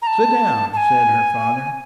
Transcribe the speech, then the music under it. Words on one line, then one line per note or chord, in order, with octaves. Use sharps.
"Sit down!" said her father.
A#5
A5
A5
G#5